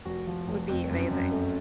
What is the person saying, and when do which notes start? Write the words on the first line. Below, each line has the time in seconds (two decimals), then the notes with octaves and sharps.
would be amazing.
0.05 F1 F#4
0.27 F3
0.47 F1
0.69 F2
0.90 F#2
1.11 F#2
1.31 A3